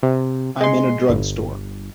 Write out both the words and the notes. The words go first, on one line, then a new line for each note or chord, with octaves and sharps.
I'm in a drugstore.
C3
G#3 C6
G1